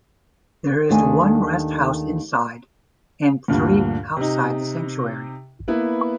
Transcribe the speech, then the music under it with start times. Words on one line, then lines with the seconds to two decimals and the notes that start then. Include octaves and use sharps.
There is one rest house inside, and three outside the sanctuary.
0.89 D#2 D#3 A3 D4 C5 G#5
3.48 D2 G2 A#2
4.17 C3 D#4
5.68 A#3 B3 E4 B4